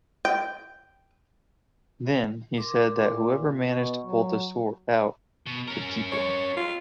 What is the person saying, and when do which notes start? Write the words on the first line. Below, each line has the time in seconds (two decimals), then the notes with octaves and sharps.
Then he said that whoever managed to pull the sword out could keep it.
0.25 G5
2.58 A#4 C6 D6
2.95 A#2
3.71 B2 C#6
4.06 F#3
5.46 B2
5.68 C#4 A#4
6.12 C#5
6.56 F4